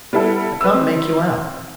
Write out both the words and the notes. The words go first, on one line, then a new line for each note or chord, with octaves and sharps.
I can't make you out.
G3 B3 E4 A4
B4 E6
C4